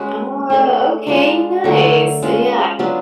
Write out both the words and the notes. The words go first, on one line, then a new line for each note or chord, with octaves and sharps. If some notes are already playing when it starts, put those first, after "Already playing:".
Oh, okay. Nice. Yeah, d
Already playing: G#3 C#4 F#4 B4
A3 D4 G#4 C#5
G#3 D4 F4 B4
D3 F#3 A3 D4
G#3 C#4 F4
F#3 B3 D4 F4